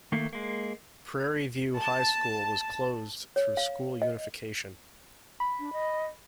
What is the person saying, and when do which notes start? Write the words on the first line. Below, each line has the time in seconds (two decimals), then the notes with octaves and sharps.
Prairie View High School was closed through school unification.
0.12 D#3 A3 A#3
0.33 G#3 A#3
1.79 A5
3.36 C#5
3.57 F5
4.02 D#5
5.40 B5
5.59 D4
5.73 D#5